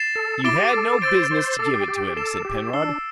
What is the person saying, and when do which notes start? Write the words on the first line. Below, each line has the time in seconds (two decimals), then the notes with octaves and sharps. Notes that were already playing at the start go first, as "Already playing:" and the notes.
"You had no biz'nuss to give it to him," said Penrod.
Already playing: A6 C7 E7
0.16 A4
0.44 E4 D6 A6 D7 G7
0.59 G4
0.73 A4
1.01 C5 E6 A6 D7
1.31 C5
1.59 A4 D6 A6 C7
1.74 G4
1.88 G4
2.16 A4 D6 C7 E7 G7
2.45 G4
2.73 D4 E6 C7 G7